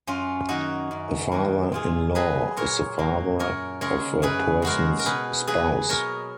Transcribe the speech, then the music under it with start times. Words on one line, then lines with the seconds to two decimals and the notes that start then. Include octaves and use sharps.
A father-in-law is the father of a person's spouse.
0.07 F#2 C#4 F4
0.49 D#3 F#3 A#3 D#4 F#4
0.91 F#2
1.32 D#3 F#3 A#3
1.72 A#2 F4 G#4
2.15 F#3 A#3 G#4 B4
2.57 A#2 A#4 C#5
2.99 F#3 A#3
3.39 F#2 A#4 C#5
3.81 C#3 G#3 A#4 C#5
4.22 F#2 G#4 B4
4.62 C#3 G#3 F#4 A#4
4.99 A#4
5.06 B2 G#4 B4
5.47 F#3 A#3 G#4 B4
5.89 B2 A#4 C#5